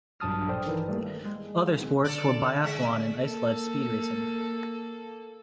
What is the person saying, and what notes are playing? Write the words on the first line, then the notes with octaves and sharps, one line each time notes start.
Other sports were biathlon and ice sledge speed racing.
A#1 G2 F#3 A5 D#6 F6
A4 C5 D5 G5
D#3 E3
G3 A3 A#3 A4
G#3
D3 A4 D5
G#3 E5
A#3 A4